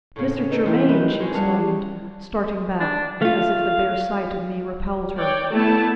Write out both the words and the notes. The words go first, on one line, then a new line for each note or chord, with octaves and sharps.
"Mr. Germaine!" she exclaimed, starting back, as if the bare sight of me repelled her.
A2 C#3
D#4 A4 B4
C3 E3 G3 D4 E4
D#4 A#4 B4
G#3 C#4 G#4
G3 G#4 F5 F#5 A5
D4
A3 F4 F5
C#5 D5 G5
A3 B3 E4 A5